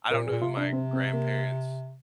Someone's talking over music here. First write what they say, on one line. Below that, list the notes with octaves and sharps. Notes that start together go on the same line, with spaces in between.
I don't know who my grandparents'
A#2 A#4
G#4
A#2
C3 F4
D4
C4
C4
A#3